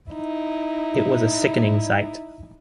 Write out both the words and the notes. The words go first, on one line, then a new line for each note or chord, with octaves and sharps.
It was a sickening sight.
D#4 E4